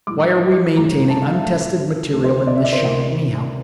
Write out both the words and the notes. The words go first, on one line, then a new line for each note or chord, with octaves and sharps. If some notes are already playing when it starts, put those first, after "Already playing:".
Why are we maintaining untested material in this shop, anyhow?
A2 E3 G3 D6
G2 E3 A3 A#5
A5
F5
E5
A2 E3 A3
D2 D3 F3 A4
C5
D5
E5
D5
C5
D2 C3 E3 A#4